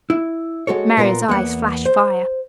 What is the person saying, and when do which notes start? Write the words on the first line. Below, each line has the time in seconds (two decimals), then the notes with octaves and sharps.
Mary's eyes flashed fire.
0.10 E4
0.67 G#3 F#4 A4 C#5
0.97 A#2 B3 F4 A#4 A#5
1.28 E2 A#3 B3 F#5
1.86 C5